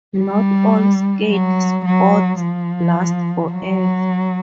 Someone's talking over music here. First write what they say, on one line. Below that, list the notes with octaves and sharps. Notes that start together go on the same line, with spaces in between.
Not all skate spots last forever.
G3
F#3
F#3
F3
F#3